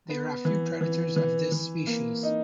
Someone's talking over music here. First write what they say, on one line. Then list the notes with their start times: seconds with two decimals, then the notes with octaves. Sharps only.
There are few predators of this species.
0.09 B3
0.45 E3
0.81 E3
1.16 E3
1.52 E3
1.87 A#3
2.23 D#4